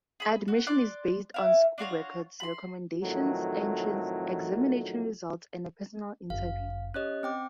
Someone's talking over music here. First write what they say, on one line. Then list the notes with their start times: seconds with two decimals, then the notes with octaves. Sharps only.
Admission is based on school records, recommendations, entrance examination results, and a personal interview.
0.20 G#4 B5
0.48 F#4
0.67 D5 C6 D6 F#6
1.34 E4 F5
1.78 D4 F4 F#4 C#5
2.40 B5 C6
3.02 F2 A2 D#3 F#3
6.30 G1 F#2 F5
6.94 C#4 G4 C#5 D#5 F#6
7.23 C4 G5 D6